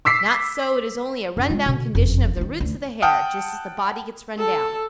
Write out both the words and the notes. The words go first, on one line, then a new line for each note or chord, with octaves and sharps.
Not so, it is only a run down condition of the roots of the hair--just as the body gets run down.
D6 E6 B6 C7
F#2
G#3 F4
B2 D3
F#1 F2
D#3 F3
D2 E3
F#5 G5 A5 D#6 F6
A4